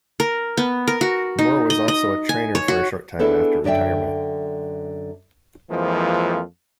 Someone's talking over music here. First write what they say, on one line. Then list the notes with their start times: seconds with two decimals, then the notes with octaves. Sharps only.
Moore was also a trainer for a short time after retirement.
0.20 A#4
0.57 B3
0.87 A#4
1.01 F#4
1.39 D#4
1.70 D#5
1.88 D#5
2.29 G#5
2.55 C#5
2.68 F#4
3.19 B3 D4 E4 G#4 A4 B4
3.64 F#2 D3 D5 E5 G5
5.70 F2 E3 F3 G#3 A#3